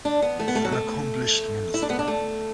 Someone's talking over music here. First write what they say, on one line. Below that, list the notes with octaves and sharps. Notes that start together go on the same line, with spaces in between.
He is an accomplished minister.
D4
B3
A3
B3
A3
F#3
A3
E4
D4
B3
D4
A3